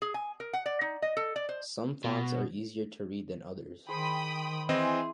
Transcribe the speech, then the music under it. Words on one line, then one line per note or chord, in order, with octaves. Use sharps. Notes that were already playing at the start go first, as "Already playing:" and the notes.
Some fonts are easier to read than others.
G#4
G#5
A#4
F#5
D5
D#4
D#5
A4
D5
C5
B2
D#3 G#4 C5 G5 B5 D#6
E3 C4 E4 G#4 D#5 C6